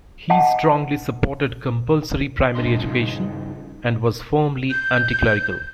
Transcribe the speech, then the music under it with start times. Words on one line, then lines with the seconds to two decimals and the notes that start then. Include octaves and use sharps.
He strongly supported compulsory primary education, and was firmly anti-clerical.
0.30 D#5 F#5 G5 A5
2.55 C2 G#2 C3 D4 D#5 C6
2.78 G2 C#3 D#4
4.70 G6